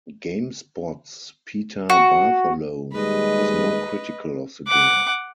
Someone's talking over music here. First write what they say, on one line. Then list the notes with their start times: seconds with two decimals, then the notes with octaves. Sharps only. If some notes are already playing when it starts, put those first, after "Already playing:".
GameSpot's Peter Bartholow was more critical of the game.
1.90 F#4
2.93 D#2 G3 G#3 B4 D#5
4.67 F#5 D6